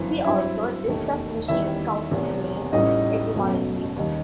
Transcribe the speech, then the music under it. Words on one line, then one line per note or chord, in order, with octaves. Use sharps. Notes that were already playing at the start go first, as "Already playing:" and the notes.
"See also", List of Michigan county name etymologies.
Already playing: G1 F#2 E3 C5
G2 F#3 C4 E4 E5
E1 D#2 D#3 A3
E2 D#3 G3 E4 E5
E1 E2 C3
A1 A2 E3 G3 D#4 D#5
F#1 E2 B2 F#3 A3
D#2 D#3 G3 D#4